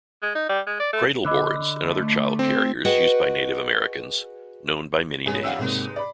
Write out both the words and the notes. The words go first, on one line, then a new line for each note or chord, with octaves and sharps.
Cradle boards and other child carriers used by Native Americans, known by many names.
G#3
D#4
G3
G#3
D5
A3
D3 D#5 B5 F#6
A3
C4
F#4 G#4 B4 D#5 F#5 G5
G#2 G#3 B3 C#4 G#4
E2 G3 D4 F5 F#5 E6
G#2 C3 G#3 A#3 B3 D#4
D5 B5